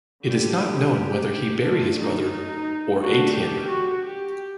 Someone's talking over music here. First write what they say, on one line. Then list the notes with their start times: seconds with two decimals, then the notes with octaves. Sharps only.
It is not known whether he buried his brother or ate him.
0.24 D3 G3 D4 G4
0.59 G4
1.63 D3 A3 D4
1.98 D#4
3.00 D3 F#3 A3 D4 F#4
3.35 G4
3.69 F#4
4.05 G4